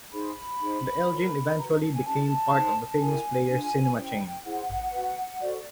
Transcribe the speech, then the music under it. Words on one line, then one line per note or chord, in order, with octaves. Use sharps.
The Elgin eventually became part of the Famous Players cinema chain.
D#4 G#4 C5 B5
D#4 G#4 C5
F4 A#4 C#5
F#4 B4 A#5
A#5
A5
G#5
C#4 E4 G4 A5
D#4 G#4 C5
E4 G4 A#4 G#5
D4 F4 G#4
C#4 E4 G4 C5 G5
E4 G#4 C5 F#5
F#4 B4
F#4 A4 C5 D5
D5